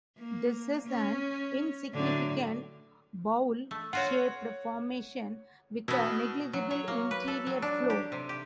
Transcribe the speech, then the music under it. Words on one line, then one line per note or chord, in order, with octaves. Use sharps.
This is an insignificant, bowl-shaped formation with a negligible interior floor.
A#3
C#4
A2 D3 F#3
A3
F4 F#4 C#5 F#5
B2 B3 E4
F#3
C#5
A#3
B4
A4
F#3
D4
G4
C3
G4